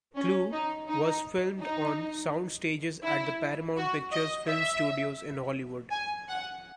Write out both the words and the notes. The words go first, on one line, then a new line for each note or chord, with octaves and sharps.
"Clue" was filmed on sound stages at the Paramount Pictures film studios in Hollywood.
C#4
D#4
D#4
D#4
E4
F#4
D#5
E5
G#5
F#5